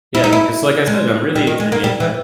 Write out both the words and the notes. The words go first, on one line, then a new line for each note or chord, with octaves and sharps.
Yeah, because like, I said, I'm really into nature.
E4
D#4
E4
G#3
G3
D#3
G#3
A#3
G3
E3